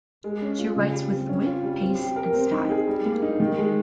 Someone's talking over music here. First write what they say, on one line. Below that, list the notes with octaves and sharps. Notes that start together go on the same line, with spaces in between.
She writes with wit, pace and style.
G#3
C#4
F4
C#3
G3
C4
C#4
F4
G3
C4
G4
A#4
C4
D#4
G#4
G3
A#3
D#4
D#3
G#3